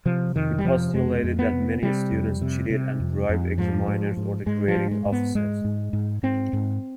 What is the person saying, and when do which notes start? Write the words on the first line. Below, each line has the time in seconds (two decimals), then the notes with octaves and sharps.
He postulated that many students cheated and bribed examiners or the grading officers.
0.05 C3 F3
0.35 F2 D#3
0.58 G3
0.64 C3 F3
0.93 F2 G#3
1.24 F2
1.39 B3
1.53 C3
1.82 C3 G3
2.12 F2
2.42 C3
2.70 C3
3.00 F2
3.29 F2
3.58 G#2 F3
3.88 G#2
4.17 G#2
4.46 G#2 G#3
4.68 F3
4.76 G#2
4.91 G#3
5.06 G#2
5.12 B3
5.35 G#2 G#3
5.64 G#2
5.93 G#2
6.23 G#2 C4
6.53 G#2